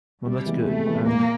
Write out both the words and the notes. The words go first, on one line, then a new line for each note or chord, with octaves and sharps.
Well, that's good. And,
C3 G3
E3 G#3 B3
C3 A3
E3 G#3 B3
A#2 A#3